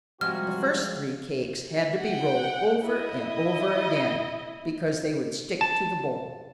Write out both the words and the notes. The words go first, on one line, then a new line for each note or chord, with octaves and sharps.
The first three cakes had to be rolled over and over again because they would stick to the board.
C3 F3 G3 G#3 F#4 F6
F#5 G5
E4 D#5
A5